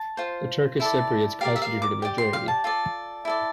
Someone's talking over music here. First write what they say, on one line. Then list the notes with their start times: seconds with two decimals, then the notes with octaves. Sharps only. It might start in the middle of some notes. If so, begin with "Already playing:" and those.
The Turkish Cypriots constituted a majority.
Already playing: A5
0.17 F4 C5
0.80 E4 A4 D5
1.41 G4 A#4 D5 F5
1.56 E5
1.62 F5
1.82 D6
2.02 G4 D5
2.18 C6
2.33 F5
2.48 A5
2.64 F4 A4 D5
3.25 E4 A4 D5